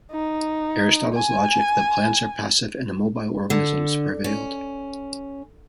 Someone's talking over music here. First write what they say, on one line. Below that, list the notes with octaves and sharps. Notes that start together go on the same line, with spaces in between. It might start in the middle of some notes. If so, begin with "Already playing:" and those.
Aristotle's logic that plants are passive and immobile organisms prevailed.
D#4
G#5
D3
C#4